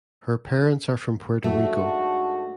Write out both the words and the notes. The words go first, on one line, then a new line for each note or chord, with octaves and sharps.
Her parents are from Puerto Rico.
G#2 A3 D4 F#4